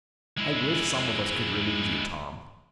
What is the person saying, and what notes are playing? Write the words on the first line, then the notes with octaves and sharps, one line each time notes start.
"I wish some of us could relieve you, Tom."
G#3 E4